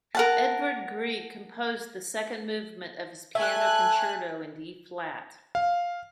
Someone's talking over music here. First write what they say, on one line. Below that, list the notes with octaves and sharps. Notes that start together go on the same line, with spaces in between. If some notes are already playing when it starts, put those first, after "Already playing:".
Edvard Grieg composed the second movement of his Piano Concerto in D-flat.
A#4 F#5 A5
A3 E5 G#5 F#6
F5